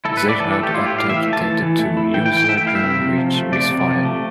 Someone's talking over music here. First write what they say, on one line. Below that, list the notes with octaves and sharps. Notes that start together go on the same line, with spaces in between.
They had attempted to use a gun which misfired.
E4 A4
B4
A2
D5
E3 A4
A4
A3
G4
E4 F4
G4
A2
F5
E3 E5
A3
A5
E3
E3
A3
E4
E3 G5
G5
E3
G5
A3 E5
G5
E4 F5
E5
C3
C3
F3
A3
C3 D5
C3
F3
A3